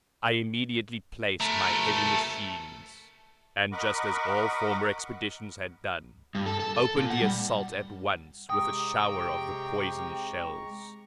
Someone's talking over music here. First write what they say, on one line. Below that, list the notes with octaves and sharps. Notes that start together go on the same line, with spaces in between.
I immediately placed my heavy machines, and just as all former expeditions had done, opened the assault at once with a shower of the poison shells.
A3 A4 A#4
A#4 D#5 F#5 B5 C#6 D6
G2
A4
A4
A4
A#2
F#5
G3
C3 G#3 G4 G5 A#5 C#6 D#6